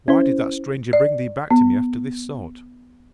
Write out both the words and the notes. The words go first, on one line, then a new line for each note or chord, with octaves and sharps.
Why did that stranger bring thee back to me after this sort?
C#4 E4 C5
D5
B3